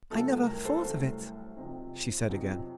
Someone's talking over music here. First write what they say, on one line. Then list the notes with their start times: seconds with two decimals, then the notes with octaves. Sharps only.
"I never thought of it," she said again.
0.10 C2 C3 F#3 A3 A4
0.47 A#4
0.65 A4 C5
0.83 C2 C3 F#3 A3
1.56 F2 C3 F#3 C4 D#4
2.29 F2 C3 F#3 C4 D#4